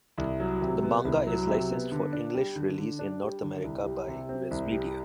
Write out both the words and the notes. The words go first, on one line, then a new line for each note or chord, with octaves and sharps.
The manga is licensed for English release in North America by Viz Media.
C2
F#3
C3
B3
C2
F#3
C3
B3
D3
D4
G3
D3
D3
D4
G3
D3
C2
G3
C3
C4
C2
G3